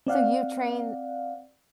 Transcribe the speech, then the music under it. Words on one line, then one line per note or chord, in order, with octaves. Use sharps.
So, you train
C4 D5 F5 F#5